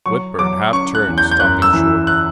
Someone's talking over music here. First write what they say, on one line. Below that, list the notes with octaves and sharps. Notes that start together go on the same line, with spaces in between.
Whitburn half-turned, stopping short.
F#3 C#6
F#3 D6
C#4 C#6
F#6
E2
G6
G6
F#2 F#6
E6
E3
F#6